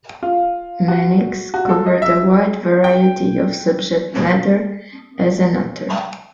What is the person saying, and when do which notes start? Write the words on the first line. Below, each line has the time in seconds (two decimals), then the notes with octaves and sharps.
Mannix covered a wide variety of subject matter as an author.
0.23 F4
0.88 F#4
1.54 F#4
1.69 A4
1.86 D#5
2.02 E5
2.84 G5